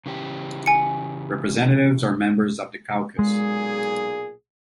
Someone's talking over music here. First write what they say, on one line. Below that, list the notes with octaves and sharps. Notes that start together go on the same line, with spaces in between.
Representatives are members of the caucus.
C#3 E3 G4
G#5 C#7
B1 A#2 G#3 G#4